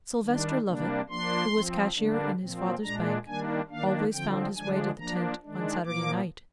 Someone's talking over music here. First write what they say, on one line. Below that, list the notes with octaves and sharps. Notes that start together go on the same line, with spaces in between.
Sylvester Lovett, who was cashier in his father's bank, always found his way to the tent on Saturday night.
D#3 G3 D4
C3 G3 A#3 D4
F3 A#3 D4 C6
F3 C4
D3 G3 A#3 D4
A#2 F3 C4
A#2 G#3 D4 A#5
D#3 G3 A#3 D4 G#5
D#3 A#3 D4 F5
D3 F3 C4 G5
D3 F3 G#3 D4 G#5
F3 A#3 D4 A#5
D#3 G#3 D4
A#2 F3 A#3 D6